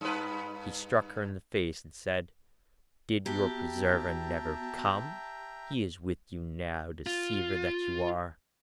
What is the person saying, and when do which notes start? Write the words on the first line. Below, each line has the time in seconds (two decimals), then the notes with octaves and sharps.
He struck her in the face, and said, 'Did your preserver never come? He is with you now, deceiver that you are.
0.01 G2 B4
3.26 B3 F#4 G4 E5 G5 A5 A#5
7.07 F4